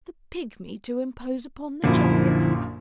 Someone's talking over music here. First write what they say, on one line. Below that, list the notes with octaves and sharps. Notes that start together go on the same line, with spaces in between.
The pigmy to impose upon the giant.
A#1 F#2 A#2 D3 F3 E4